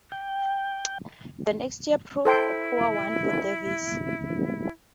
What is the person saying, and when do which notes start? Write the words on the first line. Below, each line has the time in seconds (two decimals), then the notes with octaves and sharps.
The next year proved a poor one for Davis.
0.12 G5
2.25 E4 A4 C5 G5